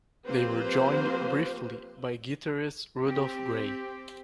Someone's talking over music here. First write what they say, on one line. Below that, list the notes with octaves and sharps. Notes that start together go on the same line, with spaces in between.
They were joined briefly by guitarist Rudolph Grey.
F3 A#3 C4 G4 B4 C5
C4 G4